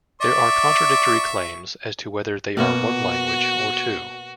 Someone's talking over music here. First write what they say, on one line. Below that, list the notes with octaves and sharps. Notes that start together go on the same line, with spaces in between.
There are contradictory claims as to whether they are one language or two.
D5 E5 C#6
B2 A#3 B3 F#4